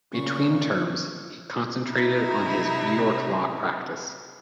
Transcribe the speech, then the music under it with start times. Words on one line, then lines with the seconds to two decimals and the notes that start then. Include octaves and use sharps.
Between terms, he concentrated on his New York law practice.
0.13 A#2 C#3 C#6
1.90 C3 D#4 E4